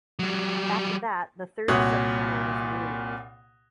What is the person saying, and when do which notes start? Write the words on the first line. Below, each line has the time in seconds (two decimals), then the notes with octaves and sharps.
After that, the third subchannel was removed.
0.19 F#3 G3
1.68 C2 A#2 F#4 C#5 F#5 D#6